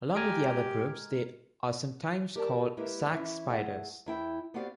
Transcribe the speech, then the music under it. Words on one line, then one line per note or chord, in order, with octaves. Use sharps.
Along with other groups, they are sometimes called "sac spiders".
G#3 G4 A#4 G#5
G4 A#4 D5 A5
G#3 A#3 E4 G4 A#4 B4
E3 C#4 E4
A3 G#4 F#5
E2 E4 G5
B3 C4 F#4 G4 D5 F5